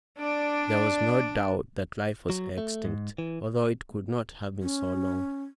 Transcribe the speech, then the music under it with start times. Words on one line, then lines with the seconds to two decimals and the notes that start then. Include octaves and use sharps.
There was no doubt that life was extinct, although it could not have been so long.
0.18 D4 D5
2.30 F#3
2.58 A3
2.85 G#2
3.18 E3
4.62 C#4